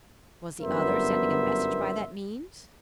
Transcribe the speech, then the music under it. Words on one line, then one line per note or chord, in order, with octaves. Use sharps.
Was the other sending a message by that means?
G1 F#2 B3 A#4 C5 E5